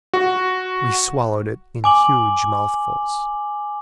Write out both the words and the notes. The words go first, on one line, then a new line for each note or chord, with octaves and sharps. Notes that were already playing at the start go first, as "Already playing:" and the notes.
We swallowed it in huge mouthfuls.
F#4
G#5 D6 F#7